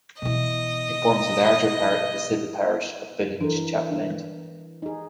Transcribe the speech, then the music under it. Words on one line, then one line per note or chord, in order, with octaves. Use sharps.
It forms the larger part of the civil parish of Billinge Chapel End.
B2 E3 D#5
E3 D4 A4 A#4
D4
D#4 G#4